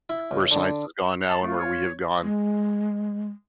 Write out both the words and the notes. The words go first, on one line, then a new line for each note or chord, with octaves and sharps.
where science has gone now and where we have gone,
E4
C#2
D3
A5
A3 F4
C#5
G#3